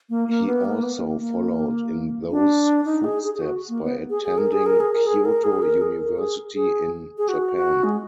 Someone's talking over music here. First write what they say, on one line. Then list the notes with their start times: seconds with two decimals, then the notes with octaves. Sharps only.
He also followed in those footsteps by attending Kyoto University in Japan.
0.10 A#3
0.28 A#3
0.47 B3
0.65 A#3
0.83 B3
1.01 A#3
1.20 A#3
2.31 D4
2.85 D#4
3.04 G#4
3.23 G#4
3.34 G#4
3.41 F#4
3.69 A#3
3.83 B3
4.10 G#4
4.24 G#4
4.38 A#4
4.52 G#4
4.66 A#4
4.80 G#4
4.94 A#4
5.07 G#4
5.25 A#4
5.44 G#4
5.62 A#4
5.81 G#4
5.99 A#4
6.18 G#4
6.54 G#4
7.18 G#4
7.29 F#4
7.56 F#4
7.84 G#3